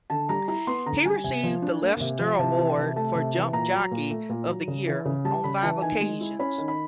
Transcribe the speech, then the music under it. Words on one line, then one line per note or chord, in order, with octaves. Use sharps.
He received the Lester Award for Jump Jockey of the Year on five occasions.
D3 A5
G3 A#5
E4 A#5
B3 C6
D3 A#5
G3 G#5
C3 G#5
F3
D4
A#3
C3
F3
C3 A5
E3
C3
A3 A5
C3
E3
A#2 A#5
F#3
A#2
A3
A#2
F#3
C#3
E3
C#3
G3 A5
C#3 B5
E3 A5
D#3 G#5
G#3
E4
C#4 B5
D#3
B5